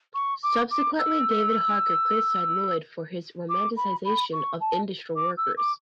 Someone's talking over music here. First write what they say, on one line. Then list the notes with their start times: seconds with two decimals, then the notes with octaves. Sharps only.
Subsequently David Harker criticised Lloyd for his romanticisation of industrial workers.
0.15 C#6
0.43 D6
0.71 D6
0.99 E6
3.49 D6
3.77 B5
4.05 B5
4.33 C#6
4.60 A5
5.16 D6
5.37 E6
5.57 D6